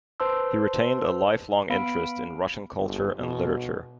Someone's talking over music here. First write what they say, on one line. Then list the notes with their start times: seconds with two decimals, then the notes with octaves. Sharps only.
He retained a lifelong interest in Russian culture and literature.
0.20 B4 C5 A5 C6 E6
1.70 B3 F5 B5 D7
2.79 G1
3.19 B2